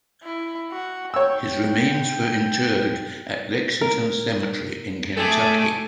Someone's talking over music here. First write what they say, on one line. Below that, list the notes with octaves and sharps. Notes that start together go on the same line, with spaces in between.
His remains were interred at Lexington Cemetery in Kentucky.
E4
F#4
C#5 G5 E6
A#4
A3 G#4 A4 D6